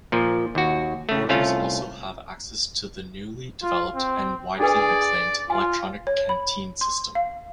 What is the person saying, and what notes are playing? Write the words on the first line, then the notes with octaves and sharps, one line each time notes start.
Boarders also have access to the newly developed and widely acclaimed electronic canteen system.
A#2 F3
D#2 F#4
C#3 A3
C2 A3 C#4 F4 F5
F4
C4
D4 G#4 A4 B4 D5
F4 G#5
C#5
B5
C6
F5